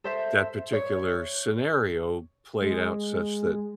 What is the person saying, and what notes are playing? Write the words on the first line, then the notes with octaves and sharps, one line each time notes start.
that particular scenario played out such that
A4 C5 E5
C#5
G#3